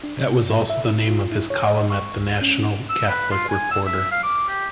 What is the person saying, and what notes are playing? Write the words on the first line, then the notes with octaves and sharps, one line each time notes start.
That was also the name of his column at the "National Catholic Reporter".
D4
C3
G#2
E5
E4
F4
E4
C#5
D#5
C#6
C#2
C#4
E6
B4
F4
G#5
E6
E5
F5
D6
G4